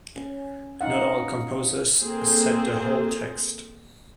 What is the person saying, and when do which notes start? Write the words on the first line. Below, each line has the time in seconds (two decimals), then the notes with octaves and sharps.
Not all composers set the whole text.
0.16 C#4
0.81 C#4 D#4 F5 F#5
2.02 A#3 C4 G#4 A4 C5